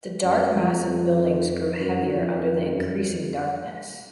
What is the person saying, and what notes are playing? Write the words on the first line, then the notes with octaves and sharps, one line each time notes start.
The dark mass of buildings grew heavier under the increasing darkness.
F#2
F2
F2
F#2
F2
F2
F#2
F2